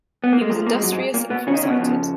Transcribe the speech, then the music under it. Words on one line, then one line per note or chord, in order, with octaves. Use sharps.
He was industrious and foresighted.
B3
A#3
G#3
F2 F3 F#3
A#3
G#3
F#3
G#2 G#3
A#2 A#3
B2 B3
C#3 C#4
D#3 D#4
C#3 C#4
B2 B3
F2 C#3 F3